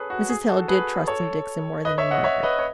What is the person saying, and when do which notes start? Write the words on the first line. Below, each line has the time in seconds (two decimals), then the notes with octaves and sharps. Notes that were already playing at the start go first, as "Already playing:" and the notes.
Mrs. Hale did trust in Dixon more than in Margaret.
Already playing: G#4 A4 B4 C#5
0.10 F#4
0.30 G#4
0.48 F#4 A4
0.68 G#4 B4
1.07 A4 C#5
1.85 B4 D#5
1.98 C#5 E5
2.11 D#5 F#5
2.24 C#5 E5
2.43 B4 D#5
2.59 C#5